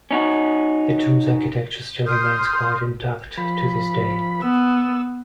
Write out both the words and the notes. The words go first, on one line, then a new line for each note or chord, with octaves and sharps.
The tomb's architecture still remains quite intact to this day.
C#4 D#4 F#4
C6 D#6 F6 G6
F3 B5
B3 E6